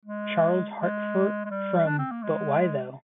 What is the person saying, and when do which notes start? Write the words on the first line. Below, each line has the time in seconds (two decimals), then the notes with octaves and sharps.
Charles Hartford from "But Why Tho"?
0.05 G#3
0.78 G#3
1.45 G#3
1.50 G3
1.86 D4
1.98 C4
2.11 A#3
2.23 G#3